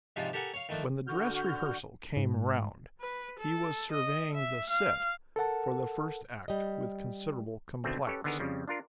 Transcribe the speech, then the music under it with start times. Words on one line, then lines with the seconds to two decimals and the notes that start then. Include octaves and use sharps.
When the dress rehearsal came round, he was surveying the "set" for the first act with considerable complacence.
0.16 G#2 C3 F3 D4 D#4 F4
0.33 G4 A4 A#4 F#5 G#5
0.54 C#5 F5
0.69 D#3 F3 A3 D4
1.07 D3 F#4 F6 G6
2.17 G#2
3.01 B4
3.39 A4
3.92 D#5
4.34 E5
4.70 F5
5.36 A4 A#4 F#5 A5
6.48 G3 D#5
7.84 D2 B2 D#3 A3 C4
8.07 C#4 G4 A4 B4 C#5
8.24 D3 D#3 B3 G#4 A#4
8.39 F2 C#3 F3 G3
8.68 D4 F4 A#4